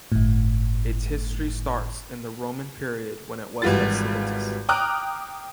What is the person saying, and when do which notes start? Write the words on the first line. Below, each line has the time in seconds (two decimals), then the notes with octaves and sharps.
Its history starts in the Roman period when it was a civitas.
0.12 G1 A2
3.62 G#1 E3 G3 F4 F#4 A6
4.69 G5 A#5 D6 D#6 F6 F#6